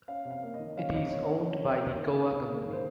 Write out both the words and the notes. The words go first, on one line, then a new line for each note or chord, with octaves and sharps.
It is owned by the Kowa Company.
C#4 F5
C3
F5
A#3
D#5
D#3
C#4 F5
C3 D#5
A#3 C#5
D#3 C#5
C#4
C3
A#3
D#3
C#4
C3
A#3
D#3
C5